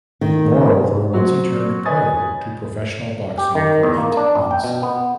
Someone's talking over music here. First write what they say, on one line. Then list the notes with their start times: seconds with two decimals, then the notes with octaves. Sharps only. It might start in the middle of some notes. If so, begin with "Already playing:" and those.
Moreover once he turned pro to professional boxing for eight months.
0.21 D#3
1.13 F#3 C4 F#4
1.85 B4 C#5 D#5 G#5 D#6 A6
3.38 G4
3.55 D#3
3.83 E2
3.98 A#3
4.17 D4
4.35 A#1
4.51 G5
4.64 B2
4.83 B3